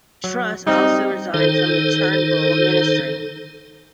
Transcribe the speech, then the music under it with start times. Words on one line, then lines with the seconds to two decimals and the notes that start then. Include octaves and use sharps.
Truss also resigned from the Turnbull Ministry.
0.24 F#3
0.67 G3 C4 D#4
1.34 D#3 D#4 A4 C5